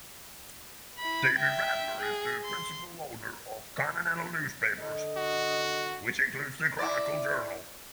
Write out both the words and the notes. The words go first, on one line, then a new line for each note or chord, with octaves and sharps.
David Radler is the principal owner of Continental Newspapers, which includes The Chronicle-Journal.
E4 B5
E5 G5
G#4
C6
D3 A4 D#5
F#4
E4 D5